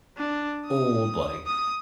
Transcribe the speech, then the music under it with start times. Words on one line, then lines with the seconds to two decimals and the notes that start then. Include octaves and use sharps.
old, like,
0.17 D4
0.66 D#6
1.47 D#6